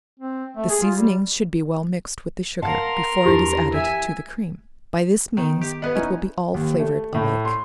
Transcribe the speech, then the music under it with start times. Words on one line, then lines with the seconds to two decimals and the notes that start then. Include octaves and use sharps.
The seasoning should be well mixed with the sugar, before it is added to the cream; by this means, it will be all flavored alike.
0.20 C4
0.56 A3
0.70 G#4
0.82 F4
0.95 G3
2.62 A#4 F5 F#5 A5 C6
3.25 E2 D4 E4 G4
3.73 E5 G#5
5.37 D#3 B3
5.61 G4
5.82 B3 B4 D5 D#5 F#5
5.95 C#4 D#4 E4
6.54 D#2
6.80 A3
7.14 A2
7.45 C6